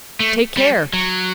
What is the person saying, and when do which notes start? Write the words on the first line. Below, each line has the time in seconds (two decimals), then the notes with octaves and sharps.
Take care!
0.20 A3
0.57 G3
0.93 F#3